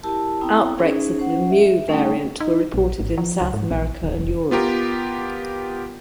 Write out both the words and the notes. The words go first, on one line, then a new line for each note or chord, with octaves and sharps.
Outbreaks of the Mu variant were reported in South America and Europe.
E4 G4 A#4 A5
B3 C4 E4 G5 A#5 D#6
C#4 D#4 G#4 C5
C#4 C5 F#5
E5
G3 A3 C#4 D#4 G5
D#4
A#1
G#1
F3
C#2
G#2
A#1
D1
F1
B3 F4 G4 A#4